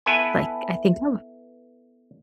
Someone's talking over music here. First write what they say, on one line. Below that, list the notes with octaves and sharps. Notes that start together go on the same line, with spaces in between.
like, I think I would
B3 E4 A4 B4 G#5